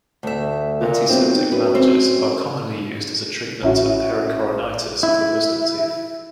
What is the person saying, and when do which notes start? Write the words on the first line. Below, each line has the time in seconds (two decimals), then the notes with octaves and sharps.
Antiseptic lavages are commonly used as a treatment to pericoronitis of wisdom teeth.
0.23 D2 E5
0.80 A#2
1.09 B1 C4
1.52 F#2 B4
1.75 C4
3.63 A1 C#4 E4 F#4
5.03 E4